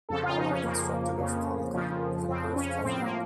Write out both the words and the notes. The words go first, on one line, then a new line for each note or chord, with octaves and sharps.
All are constructed of concrete with an earth covering.
F2 C#3 F3 A4
F4
D#4
C#4
F2 C#3 F3 A#3
F2 C#3 F3
F2 C#3 F3
F2 C#3 F3 C4
C#4
A2 F3 C4
A#3